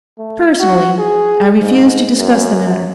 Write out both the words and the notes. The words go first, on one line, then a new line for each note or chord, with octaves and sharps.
Personally, I refuse to discuss the matter.
A3
F#4
G#4
G#2
F#2